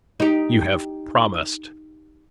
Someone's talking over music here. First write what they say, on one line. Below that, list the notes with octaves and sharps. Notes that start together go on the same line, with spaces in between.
"You have promised!"
D#4 G4